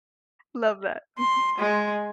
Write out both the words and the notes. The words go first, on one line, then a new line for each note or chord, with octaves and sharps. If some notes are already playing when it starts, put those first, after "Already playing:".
Love that. Mhm.
C6
G#3